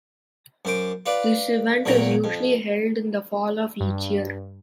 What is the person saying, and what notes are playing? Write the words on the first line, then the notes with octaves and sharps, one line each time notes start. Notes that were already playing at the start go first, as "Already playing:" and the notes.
This event is usually held in the Fall of each year.
F#2 C5 D6
F4 B4 D5
E2 A#2 F#3 G5 A#5
F2
G2